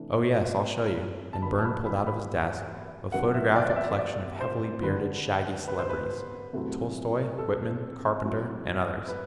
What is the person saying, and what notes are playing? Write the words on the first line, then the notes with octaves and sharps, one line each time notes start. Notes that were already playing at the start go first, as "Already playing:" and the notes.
"Oh, yes--I'll show you," and Burne pulled out of his desk a photographic collection of heavily bearded, shaggy celebrities--Tolstoi, Whitman, Carpenter, and others.
Already playing: C3 E3 A3 D4
A5
D3 F#3 B3 D4 B5
A5
B5
B5
B5
C3 F#3 B3 D4 F#5
E5
D5
C5
D5
E5
E5
D5
C5
D3 G3 D4 B4
B4
C5
B4
C3 F#3 A3 C4 E4
A4
F#3 C4 E4
B4